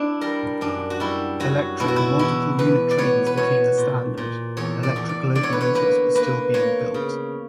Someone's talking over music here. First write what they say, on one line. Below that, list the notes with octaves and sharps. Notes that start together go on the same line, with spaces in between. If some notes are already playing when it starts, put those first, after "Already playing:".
Electric multiple unit trains became the standard, but electric locomotives were still being built.
Already playing: D4 E4
G3 A#4
F#2 D4
F#4
G3 E4
F#3 F#4
B2 E4
F#4
E4
E2 E4
E2 B4
D5
B3 C#5
B4
B2 C#5
A#2
A#2
E2 C#5
D5
E2
D5
D3 D5
C#5
B4
C#5
A#3 B4
A#3 B4
A#3 C#5
C#3